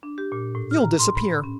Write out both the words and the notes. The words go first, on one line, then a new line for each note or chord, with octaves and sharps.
You'll disappear.
D4
G4
A#2
A2
F6
A#5
C6
B5
C#4